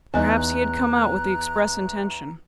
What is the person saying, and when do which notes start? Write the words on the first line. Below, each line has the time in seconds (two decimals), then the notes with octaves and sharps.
Perhaps he had come out with the express intention.
0.14 E2 D#4 D#5 G#5 A#5 F#6